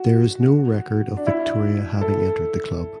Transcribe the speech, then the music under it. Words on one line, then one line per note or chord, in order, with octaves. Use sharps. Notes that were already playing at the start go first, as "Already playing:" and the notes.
There is no record of Victoria having entered the club.
Already playing: F#4
D4
E4
A4